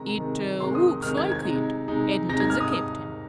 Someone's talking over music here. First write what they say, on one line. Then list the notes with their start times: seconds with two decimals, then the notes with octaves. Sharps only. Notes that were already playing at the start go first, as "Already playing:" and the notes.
"It looks like it," admitted the Captain.
Already playing: C3 D#3 G#3 A#5
0.18 C3 D#3 G#3
0.60 C3 D#3 G#3 C6
0.75 D#6
1.02 C3 D#3 G#3 F6
1.17 G#6
1.32 G#6
1.45 C3 G#3 D#4
1.88 C3 G#3 D#4
2.29 C3 G#3 D#4 A#6
2.40 G#6
2.50 F6
2.60 D#6